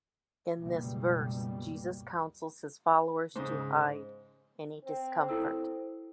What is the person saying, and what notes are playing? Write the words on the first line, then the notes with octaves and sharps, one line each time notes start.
In this verse Jesus councils his followers to hide any discomfort.
C#2 F#2 B2 G3 A#3
G#2 C#3 C5 D#6
C4
E4 A4 E6